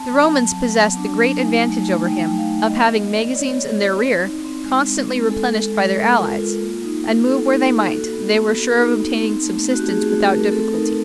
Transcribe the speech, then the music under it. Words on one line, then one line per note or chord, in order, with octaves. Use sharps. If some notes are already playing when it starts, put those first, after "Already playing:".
The Romans possessed the great advantage over him of having magazines in their rear constantly replenished by their allies, and move where they might, they were sure of obtaining subsistence without difficulty.
Already playing: C4 A5
F#3
F#3
F#3
B3
D4
F#3
D#4 G#5
A3
A3
D#4 G5
A3
F5
A3
B3 D#5
B3 D#5
B3 D5
D5
B3 C#5
B3
E4
C4
D#4
C4
G#3
C4
C4
G#3 A4
G#3
G#3
G#3 A#4
F4
F4
A#3
D#4
D#4
A#3 A4
D#4
A#3
F#4 A4
B3
B3
F#4
D#4
B3
C4
A3
C4
F#4
G4
A3 G#4
A3 F#4
A3 A#4
C4 A4
D#4 A#4